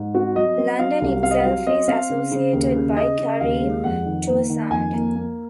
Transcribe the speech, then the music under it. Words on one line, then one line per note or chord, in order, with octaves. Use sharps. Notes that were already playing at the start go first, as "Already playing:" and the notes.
London itself is associated by Karim to a sound.
Already playing: G#2
C4 F#4
F#3 D#5
C4
F#3 F5
C2
C4 F5
D#5
F#3 F5
C4 D#5
C4 F5
C#3
C#3
D#2
C#3
C#3 D#5
C#3
D#2 F5
G#3
F2 F#5
D#3
A#3
D#3
F2 G#5
A#3
A#3